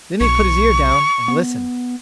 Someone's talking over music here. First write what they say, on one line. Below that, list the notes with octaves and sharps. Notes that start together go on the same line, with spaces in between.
Then he put his ear down and listened.
B1 C#6
B3